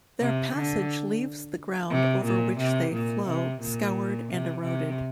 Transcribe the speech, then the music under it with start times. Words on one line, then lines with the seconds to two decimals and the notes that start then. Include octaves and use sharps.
Their passage leaves the ground over which they flow scoured and eroded.
0.21 C3
0.54 D3
1.91 C3
2.25 A#2
2.59 C3
2.93 A#2
3.27 C3
3.61 A#2
4.29 C3
4.63 C3